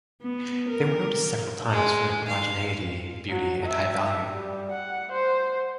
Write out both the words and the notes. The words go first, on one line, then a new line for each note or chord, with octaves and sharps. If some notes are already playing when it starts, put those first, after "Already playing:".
They were noticed several times for their homogeneity, beauty, and high value.
B3
A#4
G#3
F5
F#3
E5
G3
F#5
C5